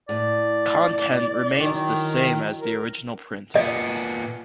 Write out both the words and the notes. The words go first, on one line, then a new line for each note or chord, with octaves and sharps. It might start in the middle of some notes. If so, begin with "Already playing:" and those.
Content remains the same as the original print.
A2 D5
D#3 E3 F#3
A#4
A#2 B3 D#5